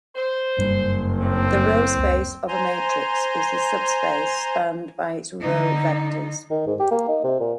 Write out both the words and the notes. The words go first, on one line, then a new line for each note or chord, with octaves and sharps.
The row space of a matrix is the subspace spanned by its row vectors.
C5
F#1 G2 G3
A2 C4
C#2
C5 G#5 A#5 C6
D3 D#4
D#3
G#2
G4
A#3
D#4
C3
A#2